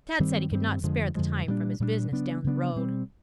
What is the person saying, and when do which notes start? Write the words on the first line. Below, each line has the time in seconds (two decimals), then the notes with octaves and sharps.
Tad said he could not spare the time from his business down the road.
0.19 G2 D#3 G3 C4
0.51 G2 D#3 G3 C4
0.83 F2 D3 F3 G#3
1.15 F2 D3 F3 G#3
1.48 A#2 G3 A#3 D4
1.80 A#2 G3 A#3 D4
2.12 C#3 F#3 B3 D4
2.44 C#3 F#3 B3 D4
2.76 B2 G3 C4